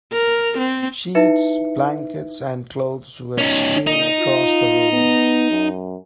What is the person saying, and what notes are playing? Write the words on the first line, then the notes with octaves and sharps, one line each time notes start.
Sheets, blankets, and clothes were strewn across the room.
A#4
C4
D#4 E4 B4 E5 C#7
C#4 D#4
A#2 D#4
F4
B3
F#2